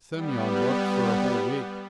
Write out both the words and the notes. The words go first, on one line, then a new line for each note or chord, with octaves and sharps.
Semyon worked for a whole week.
G3 B3